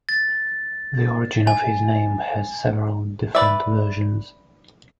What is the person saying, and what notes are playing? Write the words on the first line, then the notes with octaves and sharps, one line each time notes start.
The origin of his name has several different versions.
A6
G#5
B4 D5 E5